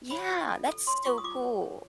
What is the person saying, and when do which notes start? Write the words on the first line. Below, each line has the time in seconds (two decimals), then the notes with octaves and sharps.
Yeah, that's so cool.
0.11 C#5 B5
0.30 F4
0.48 A4
0.67 A4
0.87 C#5 C6
1.06 F4 C#6
1.18 D#6
1.24 F4 D6
1.43 C#5
1.62 C#5